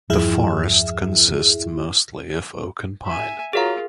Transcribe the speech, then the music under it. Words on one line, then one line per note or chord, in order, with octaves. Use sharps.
The forest consists mostly of oak and pine.
E2 G2 F3 E4 G#4 E5
E5 G#5
F4 F#4 G#4 A#4 C#5 F5 A#5